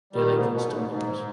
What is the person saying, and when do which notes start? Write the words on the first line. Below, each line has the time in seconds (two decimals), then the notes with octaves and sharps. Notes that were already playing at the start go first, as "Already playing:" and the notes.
They live in Stonehouse.
0.13 D#3 G3
0.32 G#2
0.52 B2
0.71 G#2
0.89 G#2